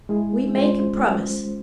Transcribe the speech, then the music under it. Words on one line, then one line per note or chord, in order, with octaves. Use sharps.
We make a promise.
G#3 E4 G#4
G#3 C#4 F4 C5